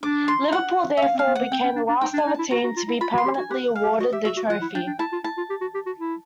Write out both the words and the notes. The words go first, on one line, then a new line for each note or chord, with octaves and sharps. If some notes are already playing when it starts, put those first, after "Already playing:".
Liverpool therefore became the last ever team to be permanently awarded the trophy.
D4 D6
C6
F#5
E5
C#4 F5
C4
F5
B3
A#3 F#5
C4 G5
C#4
D4
D4
D#4 G5
D4
G#5
D#4
E4 A5
F#4 A#5
F#4
F4
E4
F4 B5
F#4
C6
G4
F#4 G#5
G4 F#5
F5
G4
F#4 D#5
G4 E5
F#4 E5
F#4
F4 F#5
E4
D4 G5
D4
E4 A5
F4
E4 A5
F4
G4
F#4
G4
F#4
E4